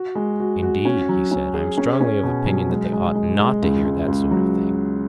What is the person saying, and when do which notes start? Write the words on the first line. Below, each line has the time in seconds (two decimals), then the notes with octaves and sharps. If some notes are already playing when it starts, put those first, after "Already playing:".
Indeed, he said, I am strongly of opinion that they ought not to hear that sort of thing.
Already playing: F#4
0.15 G#3
0.39 F#4
0.62 F#4
0.85 C#4
1.09 F#3
1.31 C#4
1.54 G#4
1.78 C#4
2.01 C#4
2.23 B2
2.46 F#3
2.70 G#3
2.93 G#3
3.15 G#3
3.39 G#3
3.62 C#2
3.84 C#2
4.08 C#2
4.31 F#3